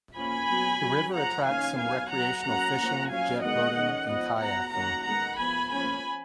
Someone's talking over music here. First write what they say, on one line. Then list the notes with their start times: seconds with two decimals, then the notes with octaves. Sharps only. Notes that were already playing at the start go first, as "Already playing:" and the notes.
The river attracts some recreational fishing, jetboating and kayaking.
0.16 F3 A#3 C#4 G#5 B5
0.49 F#3 B3
0.82 F#3 C#4
1.14 F3 G#3 C#4 F#5 A#5
1.46 D#3 A#3 C#4 F5 G#5
1.79 F#3 B3 F5 G#5
2.12 F#3 B3 F#5 A#5
2.45 F#3 A#3 C#4 F#5 A#5
2.78 F3 A#3 C#4
3.10 F#3 C#4 F5 G#5
3.43 D#3 G#3 B3 D#5 F#5
3.76 D#3 G#3 C#4
4.09 F3 B3 D#5 F#5
4.41 F#3 B3 F#5 A#5
4.74 D#3 F#3 A#3 C#4 F#5 A#5
5.07 D#3 G#3 B3 F#5 A#5
5.39 F3 B3 G#5 B5
5.72 F3 A#3 C#4 G#5 B5